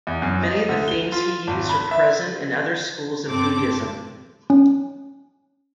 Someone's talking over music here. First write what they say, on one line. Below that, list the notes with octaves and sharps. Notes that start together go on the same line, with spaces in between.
Many of the themes he used are present in other schools of Buddhism.
E2
F#2
D#5
D2
G7
F4
G#1
B5
E5
G1 C4 A4 D6
C#4